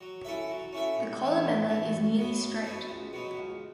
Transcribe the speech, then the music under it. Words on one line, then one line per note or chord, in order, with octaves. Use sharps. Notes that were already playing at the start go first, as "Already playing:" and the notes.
The columella is nearly straight.
F#3
C#4 E4 A4 E5
F#3
C#4 E4 A4 E5
A2
E3 A3
A2
E3 A3
F#2
F#3 B3
F#2
F#3 B3
C#2
B2 F#3 B3
C#2